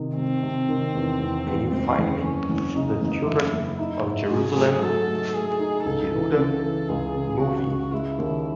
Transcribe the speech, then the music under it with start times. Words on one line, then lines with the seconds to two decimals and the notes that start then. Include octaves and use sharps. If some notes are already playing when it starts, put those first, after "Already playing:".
Can you find me the Children of Jerusalem: Yehuda movie?
Already playing: C3 D#3
0.16 C3 C4
0.43 C3
0.69 D#3
0.95 E2
1.20 E2
1.46 E2
1.71 F#1 C4
1.98 F#1
2.23 F#1 C#4
2.49 F#1
2.76 C#3 D#4
3.02 F#1
3.27 F#1 E4
3.53 F#1
3.79 D#4 E4
4.04 G#2
4.30 F#3 G#4
4.56 A3
4.83 F#3 A4
5.07 A3
5.34 A3 G#4
5.59 D#4
5.85 C#2 A4
6.11 E3
6.37 C#3
6.62 E3
6.89 C#2 G#4
7.15 C#3
7.40 C#3 F#4
7.67 C#2
7.92 G#3 E4
8.18 D#2